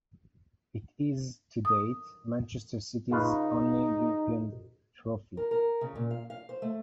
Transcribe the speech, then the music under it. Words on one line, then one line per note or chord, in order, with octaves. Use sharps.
It is, to date, Manchester City's only European trophy.
D#6
C#3 D#4 F4 B4
A#4
A#4
C#3
A#2
F5
F5
C5
A3